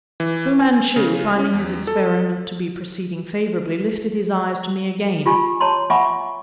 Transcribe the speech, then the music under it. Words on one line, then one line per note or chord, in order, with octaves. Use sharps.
Fu-Manchu, finding his experiment to be proceeding favorably, lifted his eyes to me again.
E3
G#5
C#3
C#4
E2
A4
F4 G4 G#5 B5
C#5 A5 A#5 C6
E5 F#5 G#5 B5 C#6 D6